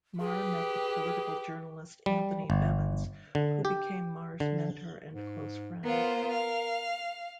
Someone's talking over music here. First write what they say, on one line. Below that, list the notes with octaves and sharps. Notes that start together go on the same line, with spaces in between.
Marr met the political journalist Anthony Bevins, who became Marr's mentor and close friend.
G4 G#4 B4
G3
G1
D3
G4
D3
G#2
B3 F4 A#4 C5
F5